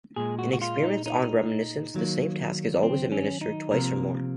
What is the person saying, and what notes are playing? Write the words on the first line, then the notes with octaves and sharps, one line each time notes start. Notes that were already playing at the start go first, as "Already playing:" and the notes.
In experiments on reminiscence the same task is always administered twice or more.
A#2 G#3 G#4
F#4
F#4
F4
D#4
D#4
D#3 F#3 A#3
C4
C#4
D#4
C3 F3 A#3 A#4